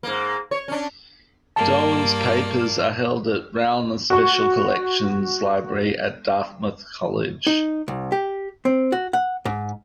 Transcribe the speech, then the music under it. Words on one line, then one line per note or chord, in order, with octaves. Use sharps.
Doan's papers are held at Rauner Special Collections Library at Dartmouth College.
G#2 A#3
C#5
C#4 D4
G2 A#3 D5 A5
F#4 C#6
D#4
C2
G4
C4
F#4
F#5
G#2